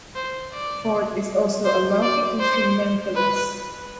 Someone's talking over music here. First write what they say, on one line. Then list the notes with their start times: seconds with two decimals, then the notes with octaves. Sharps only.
Ford is also a multi-instrumentalist.
0.15 C5
0.52 D5
1.65 C5
2.02 D5
2.40 C5
3.15 B4